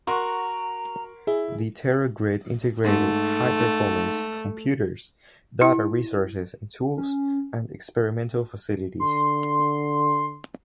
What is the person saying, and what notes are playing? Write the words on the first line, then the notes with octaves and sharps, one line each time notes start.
The TeraGrid integrated high-performance computers, data resources and tools, and experimental facilities.
F#4 A#4 A#5 C6 C#6
E4 G#4
G#2 A3
E4
C#4
D3 C6